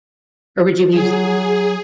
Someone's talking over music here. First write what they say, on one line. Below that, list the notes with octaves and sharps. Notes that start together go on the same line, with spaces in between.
or would you be
F#3 G#4